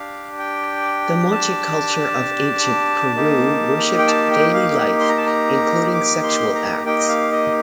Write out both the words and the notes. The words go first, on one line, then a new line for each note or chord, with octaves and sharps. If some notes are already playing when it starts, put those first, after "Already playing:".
The Moche culture of ancient Peru worshipped daily life including sexual acts.
Already playing: D4 G4 F5
G5
A5
A#3 D#4 G4
G5
A5
G5
F5
C6
A#5
A5
A#5
D6
C6
A#5
A#3 D#4 G4 G5
D#5
F5
D#5